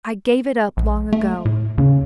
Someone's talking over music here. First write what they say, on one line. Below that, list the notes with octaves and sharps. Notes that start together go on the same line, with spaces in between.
I gave it up long ago.
A#1
A3
A2
D#2 C#3